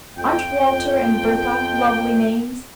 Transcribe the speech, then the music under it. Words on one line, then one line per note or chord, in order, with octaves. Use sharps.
Aren't Walter and Bertha lovely names?
F2 G5